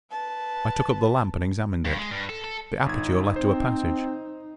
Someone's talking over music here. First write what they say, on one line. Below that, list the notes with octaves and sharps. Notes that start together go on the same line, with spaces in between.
I took up the lamp and examined it; the aperture led to a passage.
B4 A5
G2
G#3
G2
A4
A4
G1 D#4 G#6
C4 C5